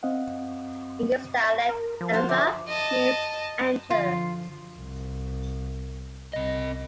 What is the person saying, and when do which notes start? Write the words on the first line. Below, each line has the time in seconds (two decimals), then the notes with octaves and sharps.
In this dialect "Emba" means "enter".
0.03 C4 D#5 F5 F#5
1.69 A#4
2.01 F3
2.13 F4 F#4 C5
2.29 D3 D4 E5
2.68 D#5 A5
3.90 D3 F3 F4
4.77 C2
6.33 C2 C4 D#5